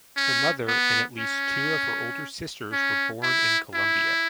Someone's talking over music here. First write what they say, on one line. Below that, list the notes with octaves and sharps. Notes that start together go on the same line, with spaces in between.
Her mother and at least two of her older sisters were born in Colombia.
C#4
B3
C#4
C#4
E4
E4